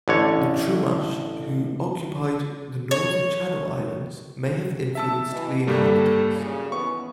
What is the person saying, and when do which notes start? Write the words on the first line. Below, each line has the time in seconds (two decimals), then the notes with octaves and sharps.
The Chumash, who occupied the northern Channel Islands, may have influenced the inhabitants.
0.08 A1 D3 C#5
2.91 C#5
4.95 E5 A5 E6
5.31 B2 E3
5.67 G2 G3 A#3 A4
6.35 F#2 A#2 C#3
6.72 D#2 E3 B3 C#6